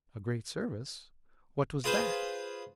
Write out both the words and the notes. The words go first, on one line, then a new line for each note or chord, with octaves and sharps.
"A great service--what was that?"
F4 G#4 B4 C5